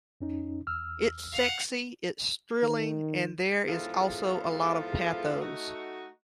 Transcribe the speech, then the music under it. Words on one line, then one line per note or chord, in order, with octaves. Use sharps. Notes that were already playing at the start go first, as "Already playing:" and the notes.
It's sexy, it's thrilling and there is also a lot of pathos.
F2 C#4 D#4
E2 E6 F6
F5 F#5
D#3
E2 G#2 F3 E4 F4 A4
A3 D#4 F#4